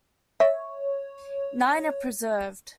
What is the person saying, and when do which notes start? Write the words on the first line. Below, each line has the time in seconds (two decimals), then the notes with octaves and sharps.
Nine are preserved.
0.40 C#5 E5